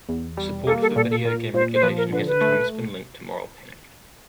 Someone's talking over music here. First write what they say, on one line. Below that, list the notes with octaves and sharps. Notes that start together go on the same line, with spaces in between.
Support for video game regulation has at times been linked to moral panic.
E2
G3
A#3 A4
A4
A#2 A4
A4
A#2 A#4
A#2 C5
C5
F3 B4
A#4
D3 B4
B4
A3